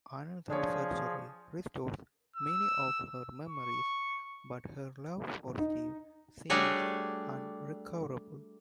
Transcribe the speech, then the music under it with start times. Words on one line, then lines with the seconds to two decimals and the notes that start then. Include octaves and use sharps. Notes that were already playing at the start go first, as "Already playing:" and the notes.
Another surgery restores many of her memories, but her love for Steve seems unrecoverable.
0.50 F3 D4 G#4 C#5
2.36 E6
3.48 C#6
5.59 D#4
6.50 G3 A3 D4 F#4 G#4 C#5